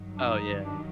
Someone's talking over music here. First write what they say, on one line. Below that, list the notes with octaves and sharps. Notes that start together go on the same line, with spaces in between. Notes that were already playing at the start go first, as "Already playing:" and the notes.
Oh, yeah.
Already playing: G2 D#3 F#3
D4
D#4
D4